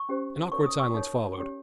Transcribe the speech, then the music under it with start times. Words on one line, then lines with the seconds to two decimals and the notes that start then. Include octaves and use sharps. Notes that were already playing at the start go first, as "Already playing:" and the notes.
An awkward silence followed.
Already playing: C#6
0.09 C#4 G4 C5
0.52 D#4 A#4 C#5 C#6
0.66 D#6
0.80 C#6
0.94 D#4 A#4 C#5
1.38 C#4 G4 C#5